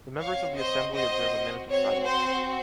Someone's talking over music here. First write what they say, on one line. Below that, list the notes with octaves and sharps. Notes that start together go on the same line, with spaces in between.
The members of the Assembly observe a minute of silence.
C4 F#4 C#5 F5
C5 D#5
C5 D#5
C4 F#4 C#5
C5